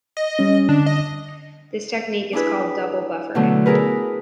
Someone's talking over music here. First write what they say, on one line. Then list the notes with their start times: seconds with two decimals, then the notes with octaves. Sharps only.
This technique is called double buffering.
0.17 D#5
0.39 G3 C#4
0.69 D3 D4
0.86 D#5
2.33 D4 E4 G#4 B4
3.35 B2 D3 F#3 A3
3.66 E4 G#4 A#4 B4